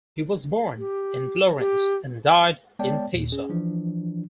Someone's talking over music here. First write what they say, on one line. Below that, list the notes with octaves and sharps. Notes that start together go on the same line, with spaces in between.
He was born in Florence and died in Pisa.
G4
G4
G#3 B3 C#5 D5 G5 A5
D#2 A#2
C#4 G#4
E3 F3 D4